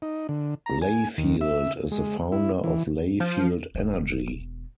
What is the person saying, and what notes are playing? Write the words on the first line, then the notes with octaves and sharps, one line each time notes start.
Layfield is the founder of Layfield Energy.
D#4
D3
A#5
G#5
D#2
E5
G#3
E4
E3
F3
E1 B3